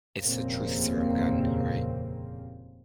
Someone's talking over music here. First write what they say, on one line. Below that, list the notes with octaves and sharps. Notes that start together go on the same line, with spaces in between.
It's the truth serum gun, right?
F1 D#2 A#2 C#3 A#3 C4